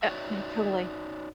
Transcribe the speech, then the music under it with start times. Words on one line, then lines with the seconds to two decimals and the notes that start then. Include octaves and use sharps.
Uh, yeah, totally.
0.02 D#4 F#4 C#5 D5 E5